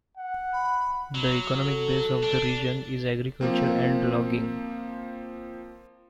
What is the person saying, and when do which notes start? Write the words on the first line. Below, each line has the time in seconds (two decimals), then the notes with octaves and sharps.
The economic base of the region is agriculture and logging.
0.17 F#5
0.53 B5
1.15 F#3
1.65 A4
2.23 D4
3.41 F3 A#3 C4